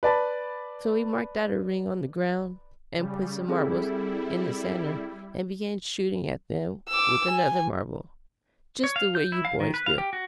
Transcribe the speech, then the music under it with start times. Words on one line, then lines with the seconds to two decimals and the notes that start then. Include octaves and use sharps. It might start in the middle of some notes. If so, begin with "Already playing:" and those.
So he marked out a ring on the ground, and putting some marbles in the center began shooting at them with another marble, just the way you boys do.
0.03 B4 D5 A5 B5
2.96 C#3 G3
3.48 G3 C4 E4 G#4 A4
6.89 D6 E6
7.30 G#5
8.84 C#5
8.96 F5
9.15 G6
9.32 E4
9.45 F5
9.60 D#3
9.74 B4
9.86 F5
9.98 G4
10.13 F#4